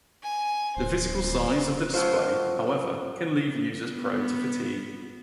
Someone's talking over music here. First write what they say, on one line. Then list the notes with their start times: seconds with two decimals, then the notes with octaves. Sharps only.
The physical size of the display, however, can leave users prone to fatigue.
0.23 G#5
0.77 D1 C5
1.94 F#3 A3 F4 C5
3.89 B3